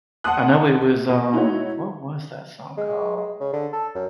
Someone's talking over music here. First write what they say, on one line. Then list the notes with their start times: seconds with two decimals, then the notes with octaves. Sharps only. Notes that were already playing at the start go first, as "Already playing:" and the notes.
I know it was, um What was that song called?
0.24 F#5 A5 C6 D#6 F#6
1.09 B2
1.33 D#4 E4 F#4 C#5
2.77 G#3
3.17 G#3
3.40 C#3
3.53 D3
3.73 A4
3.95 F#2